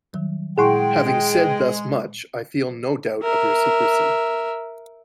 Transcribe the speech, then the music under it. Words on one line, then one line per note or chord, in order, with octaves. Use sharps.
Having said thus much, I feel no doubt of your secrecy.
D#3 F#3 G3
A#2 G#3 E4 G#4 F#5 G5 C6 C#6
A#4 E5